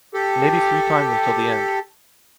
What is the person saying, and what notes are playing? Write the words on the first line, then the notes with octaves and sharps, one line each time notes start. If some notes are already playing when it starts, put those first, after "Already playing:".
Maybe three times until the end.
G4 A4